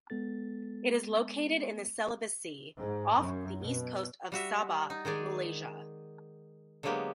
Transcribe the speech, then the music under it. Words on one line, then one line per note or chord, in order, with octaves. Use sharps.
It is located in the Celebes Sea off the east coast of Sabah, Malaysia.
G#3 B3 A4 A6
G#2
F#2
B2
G3 F#4 E5
D#4
D#3 G#3 G#4 D5
D3 F#3 G#3 A#3 B3 G4